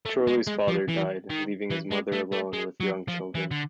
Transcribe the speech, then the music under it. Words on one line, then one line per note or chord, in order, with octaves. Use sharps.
Chorley's father died, leaving his mother alone with young children.
A3
G#3
G#3
F3
E3
D#3
E3
G#3
A3
A3
G#3
F#3
F3
E3
D3